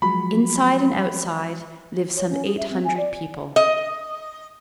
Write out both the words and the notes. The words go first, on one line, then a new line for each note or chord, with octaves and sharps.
Inside and outside lived some eight hundred people.
F3 F#3 G#3 B5
C#5
C#4
G#4
E5
C4
G#5
D5
D#5